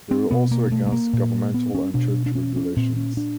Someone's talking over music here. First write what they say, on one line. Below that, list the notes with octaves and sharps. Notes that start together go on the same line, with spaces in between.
They were also against governmental and church regulations.
C4
B2 B3
A#3
A3
A3
A#3
A#2
B3
C#4
B2 D4
D4
C#4
C#4
A#2 C4
C#4
D4